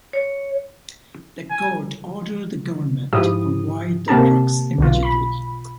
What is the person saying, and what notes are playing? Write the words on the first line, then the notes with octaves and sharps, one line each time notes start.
The court ordered the government to provide the drugs immediately.
C#5
G#5
G#2 F3 E4 G4 D#6
C3 A#3 C4 G4 A5
B1 B2 F4
B5